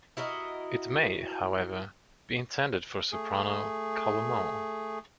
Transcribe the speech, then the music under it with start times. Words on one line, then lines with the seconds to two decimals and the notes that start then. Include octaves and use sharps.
It may, however, be intended for soprano chalumeau.
0.17 E4 F#4 A#4 D#5
3.12 A3 G#4